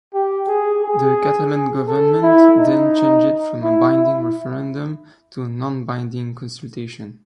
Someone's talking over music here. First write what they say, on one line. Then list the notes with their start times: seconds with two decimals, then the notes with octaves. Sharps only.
The Catalan government then changed it from a binding referendum to a non-binding "consultation".
0.14 G4
0.48 G#4
0.83 G#4
1.87 A4
2.23 E4
2.58 D#4
3.63 E4
3.96 E4